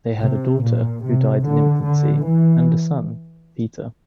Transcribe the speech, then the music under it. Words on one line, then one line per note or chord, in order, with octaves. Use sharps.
They had a daughter who died in infancy, and a son, Peter.
C3
A#2
C3
D3
D3
E3